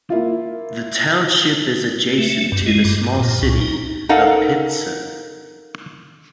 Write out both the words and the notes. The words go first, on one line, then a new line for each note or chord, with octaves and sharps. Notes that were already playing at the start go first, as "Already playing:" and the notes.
The township is adjacent to the small city of Pittston.
A#3 E4 F4
A3
G2
G#3
G2
A#2
C#2
D#4
D#4 A4 A#4 F5 F#5